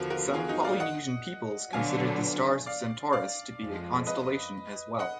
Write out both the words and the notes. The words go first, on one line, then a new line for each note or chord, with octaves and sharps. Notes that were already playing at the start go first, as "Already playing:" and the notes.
Some Polynesian peoples considered the stars of Centaurus to be a constellation as well.
Already playing: D#2 D3 F3 B3 F#4 A#4
F#4 A#4
F4 G#4
D#4 F#4
D5 F5
D#5 F#5
D3 F#3 B3 D4 F5 G#5
D5 F5
D5 F5
F2 F3 G#3
B4 D#5
D#5 F#5